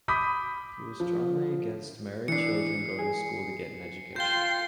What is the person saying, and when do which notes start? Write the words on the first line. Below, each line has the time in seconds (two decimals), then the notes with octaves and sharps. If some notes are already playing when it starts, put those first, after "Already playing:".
He was strongly against Maori children going to school to get an education.
0.08 B5 D6 D#6 G6 B6
1.00 F3
2.28 E3 D4 C7 C#7
2.99 G#4
4.16 F4 G5 G6 C7 G7